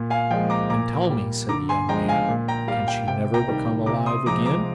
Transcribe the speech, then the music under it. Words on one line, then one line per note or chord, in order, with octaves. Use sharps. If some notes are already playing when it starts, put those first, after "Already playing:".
"And tell me," said the young man, "can she never become alive again?"
Already playing: A#2
F5 G#5
F3 G#3 G5
A#5 D6
A#2 A#5 D6
G3
D3 A#5 D6
G#5 C6
F3 G#3 G5 A#5
F5 G#5
A#2
G5 A#5
G3 F5
G5
C3 G5
G5 A#5
D#3 G3
C3 A#5 D6
C6 D#6
F3 G#3 A#5 D6
A#5 D6